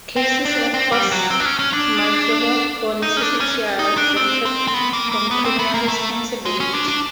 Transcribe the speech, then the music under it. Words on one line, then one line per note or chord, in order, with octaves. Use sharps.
Cases of force majeure or necessity are exempted from criminal responsibility.
C4
D4
C4
G3
F#3
C4
D4
C#4
C#4
D4
D#4
C#4
D4
C#4
D#4
D4
C4
C4
C4
B3
A#3
A#3
B3
C4
B3
A#3
A3
G#3
C#4
D4
D4